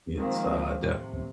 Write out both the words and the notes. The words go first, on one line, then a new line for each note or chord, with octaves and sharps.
it's, uh, definite
D#3 F3 G#3 A#3 C4
A2 C3